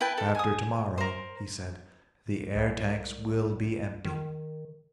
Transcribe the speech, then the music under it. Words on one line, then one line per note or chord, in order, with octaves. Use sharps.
"After tomorrow," he said, "the air tanks will be empty!"
E4 B4 G5 A5
A4
G#5 D#6
A#4 C5
C2
D#3